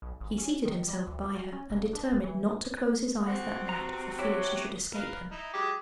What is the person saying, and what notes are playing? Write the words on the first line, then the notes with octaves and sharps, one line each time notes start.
He seated himself by her, and determined not to close his eyes that night, for fear she should escape him.
B1
G#1
C#4
D#3
G3
D2
F#4
C#4
F1
D4
E1
E3
D2 C4 F#5
G2 C3 F#4 A#5
E4 G4 C#5
A#4 B4 F5
D#4 E4
F#3 G#3 G4